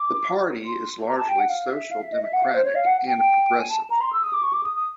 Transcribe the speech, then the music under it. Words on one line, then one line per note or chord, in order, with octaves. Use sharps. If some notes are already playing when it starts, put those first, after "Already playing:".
The party is largely social democratic and progressive.
Already playing: D6
C6
A#5
A5
G5
F#5
F5
E5
F5
E5
D#5
E5
F#5
F5
C5
C#5
F5
F#5
G5
G5
G#5
A5
A#5
C6
E6
D#6
D6
C#6
D6
D#6
D#6